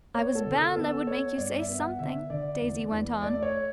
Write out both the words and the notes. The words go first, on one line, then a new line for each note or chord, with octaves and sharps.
"I was bound I would make you say something," Daisy went on.
B3 C#5
A4
D3
A4
B3 A4
B3 C#5
G2 D5
E5
B3
F#5
D3 E5
D3 D5
E2
E2
A3 D5
C#5